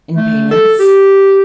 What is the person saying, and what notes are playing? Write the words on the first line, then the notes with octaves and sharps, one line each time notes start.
"In payments."
A3
A4
G4